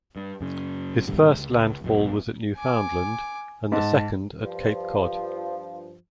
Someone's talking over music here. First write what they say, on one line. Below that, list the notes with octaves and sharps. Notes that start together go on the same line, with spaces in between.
His first landfall was at Newfoundland and the second at Cape Cod.
G2
F#2 C#3
G#2 B2 D3 G3
C#2
F1 B1 B2
G#5 D6
G#2 A5
G2 F3